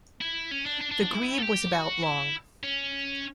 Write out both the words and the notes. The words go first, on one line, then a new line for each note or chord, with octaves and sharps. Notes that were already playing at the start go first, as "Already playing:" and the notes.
The grebe was about long.
E4
C#4
D4
D4
D4
D4
E4
A4
G4
F#4
E4
C#4